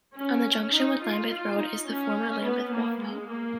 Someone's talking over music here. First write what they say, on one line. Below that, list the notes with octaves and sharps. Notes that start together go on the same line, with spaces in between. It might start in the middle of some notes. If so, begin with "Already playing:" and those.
On the junction with Lambeth Road is the former Lambeth Walk pub.
C#4
D#4
F4
F4
D#4
C#4
B3
A#3
G#3
A#3